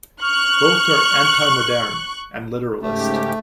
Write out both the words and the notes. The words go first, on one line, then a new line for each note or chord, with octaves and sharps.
Both are "antimoderne" and literalist.
C#6 F6 F#6
G#2 C#3 A3 G4